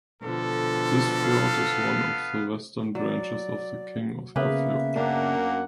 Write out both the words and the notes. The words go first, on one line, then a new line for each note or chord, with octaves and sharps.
This fjord is one of the western branches of the King Oscar Fjord.
B2 D3 F3 A4
B3 F5
F#3 D5
C#3 A#3 B3 B4 E5
F#2 A#3 D4 F#5